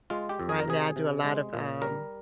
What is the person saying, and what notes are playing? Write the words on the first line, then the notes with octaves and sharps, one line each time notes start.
right now I do a lot of, um,
G#3 F4
G4
F2
G#4
A#4
C3 G#4
C3
G#3
A#2
G3 A#4